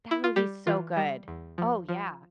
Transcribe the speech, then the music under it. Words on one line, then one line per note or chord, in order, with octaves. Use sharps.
That movie's so good, oh yeah.
E4
F4
G3 G4
E3 F4
G3
E2
F3
F3